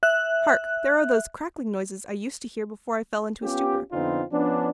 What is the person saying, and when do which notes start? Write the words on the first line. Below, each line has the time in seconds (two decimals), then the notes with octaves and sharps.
Hark! there are those crackling noises I used to hear before I fell into a stupor.
0.03 E5 F#6
3.42 B3 C#4 F4 G4
3.92 F2 D3 B3 C4 D#4 F4
4.32 F3 B3 C#4 D4